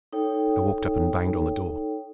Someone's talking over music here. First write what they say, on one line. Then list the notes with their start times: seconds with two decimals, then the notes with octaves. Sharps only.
I walked up and banged on the door.
0.13 D#4 A4 C#5 G5